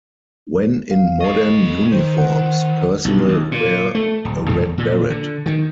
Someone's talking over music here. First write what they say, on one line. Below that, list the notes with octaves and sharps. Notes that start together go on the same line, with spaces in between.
When in modern uniforms personnel wear a red beret.
F5
A4 D#5 C#6 A6 C7
D#3 C5
C5 F#5
B1
D#2
A#2
A3
D1
E2
A#2
D3
D#3